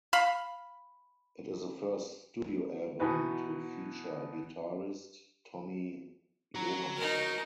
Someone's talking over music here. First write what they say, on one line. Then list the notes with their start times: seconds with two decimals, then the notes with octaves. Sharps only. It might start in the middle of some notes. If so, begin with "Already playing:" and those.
It is the first studio album to feature guitarist Tommy Johansson.
0.13 F5 B5
3.00 B2 E3 B3 D#4 F#4 B4
6.55 F#4 A#5
6.96 D#4 A#4